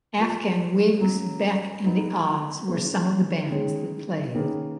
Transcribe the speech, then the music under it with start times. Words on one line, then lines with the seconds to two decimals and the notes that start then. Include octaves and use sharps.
The Afghan Whigs, Beck, and the Odds were some of the bands that played.
0.18 F3 B3 F4 A#4
1.01 F#3 A#3 C#4
1.84 F#3 B3 D#4
2.68 A#3 C#4 G#4 B4
3.51 D#3 G#3 C#4 G#4 C#5
4.35 D#3 A#3 C#4 G#4 B4